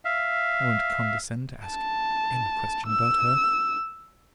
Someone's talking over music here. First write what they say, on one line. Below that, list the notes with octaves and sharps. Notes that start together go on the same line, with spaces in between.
I won't condescend to ask any question about her.
E5 F5
A5
E6